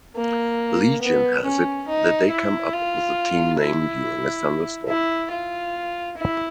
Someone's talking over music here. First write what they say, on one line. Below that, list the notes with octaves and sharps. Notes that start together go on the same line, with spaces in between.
Legend has it that they came up with the team name during a thunderstorm.
A#3
B3
C#4
D#4
E4
F4
E4
E4
F4
E4